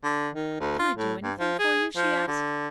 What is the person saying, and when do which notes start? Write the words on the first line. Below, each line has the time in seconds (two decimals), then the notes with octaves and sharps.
"Can I do anything for you?" she asked.
0.04 D3
0.35 D#3
0.60 D2
0.79 F4
0.97 A2
1.23 G2
1.39 F3
1.59 G#4
1.97 F3
2.27 D3